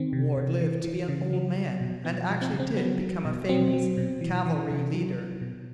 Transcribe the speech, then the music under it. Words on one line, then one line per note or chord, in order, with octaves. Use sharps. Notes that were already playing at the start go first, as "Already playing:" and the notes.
Warde lived to be an old man and actually did become a famous cavalry leader.
Already playing: D#3 C4
C3
C3
E3
E3
C#3
F#3
F#3
B2
F3 B3
F3
C4
C#3
C4
F#3 B3
F#3
B2
F#3 C4
F#3
B2
E3
E3
C3
F#3
F#3
B2